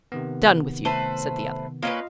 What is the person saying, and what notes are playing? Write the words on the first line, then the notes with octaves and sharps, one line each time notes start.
"Done with you," said the other.
C3 D#3 B3
A3 B4 C5
A#3 C#4 F4 B4 D#5 F5